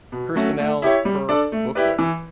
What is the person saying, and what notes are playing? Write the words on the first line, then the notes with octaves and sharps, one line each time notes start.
Personnel per booklet.
B2
F#3 A3 C#4 F#4
A3
E4 G4 C#5
G3
D4 A4 D5
A3
E4 G4 B4 D5
E3